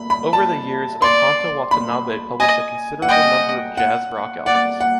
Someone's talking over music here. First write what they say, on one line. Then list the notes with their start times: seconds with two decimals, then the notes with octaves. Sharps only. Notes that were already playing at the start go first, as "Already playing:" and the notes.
Over the years Ottanta Watanabe published a considerable number of jazz-rock albums.
Already playing: B5
0.10 B5
0.33 A5
1.02 D5 C6
1.71 B5
2.40 D#5 G#5
3.02 F#5
3.08 D#5 G5
3.77 F#5
4.46 D5 F#5
4.80 F#5